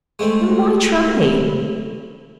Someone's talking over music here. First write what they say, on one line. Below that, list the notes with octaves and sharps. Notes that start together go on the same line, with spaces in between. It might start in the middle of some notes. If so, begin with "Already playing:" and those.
Then why try?
G#3 A3 C4